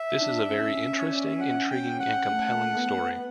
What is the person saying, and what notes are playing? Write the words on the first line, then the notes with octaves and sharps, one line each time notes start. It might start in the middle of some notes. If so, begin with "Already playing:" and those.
This is a very interesting, intriguing, and compelling story.
Already playing: E5
D4
C#4
C#5
D5
E5
F#5
G5
F#5
A3
B3